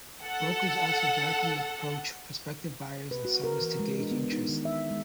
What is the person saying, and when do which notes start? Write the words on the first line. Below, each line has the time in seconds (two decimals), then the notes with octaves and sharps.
Brokers also directly approach prospective buyers and sellers to gauge interest.
0.24 A4 F#5
3.11 B4
3.25 F#4
3.44 A#4
3.61 E3
3.79 G#3
3.99 D4
4.11 B3
4.32 D#4
4.49 D#3
4.65 E5
4.91 G#3